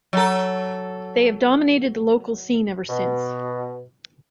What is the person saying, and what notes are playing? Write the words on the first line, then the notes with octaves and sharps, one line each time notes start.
They have dominated the local scene ever since.
F#3 A4
B2